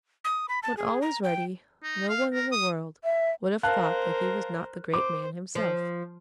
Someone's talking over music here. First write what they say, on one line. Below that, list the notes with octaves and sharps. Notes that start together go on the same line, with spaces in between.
When all was ready, no one in the world would have thought that he was not the great man himself.
D#6
B5
A5
G#4
A#5
G5
D#4
F5
A#4
D#6
E5
A#4 C5 F5 A5 F#6
C5 D6
F3